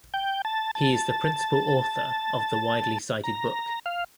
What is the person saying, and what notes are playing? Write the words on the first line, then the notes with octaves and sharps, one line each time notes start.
He is the principal author of the widely cited book.
G5
A5
A5
A#5
F5